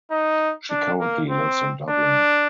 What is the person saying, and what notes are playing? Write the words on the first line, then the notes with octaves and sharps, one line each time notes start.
She currently lives in Dublin.
D#4
D4
A#3
C4
D4